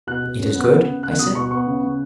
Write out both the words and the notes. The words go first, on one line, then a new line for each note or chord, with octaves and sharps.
"It is good?" I said.
B2 F#6
B2
C#4
B3
C#3
C#3
B3 F#6
B2 D#6
B2 C#6
B3 C#6
C#3
C#3